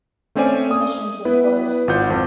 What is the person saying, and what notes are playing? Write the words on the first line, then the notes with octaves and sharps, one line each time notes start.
The missions were closed.
A3 C4 C#4 C5 D5 G#5
D#6
B3 E4 B4
G#1 F4 F#5 G6
F2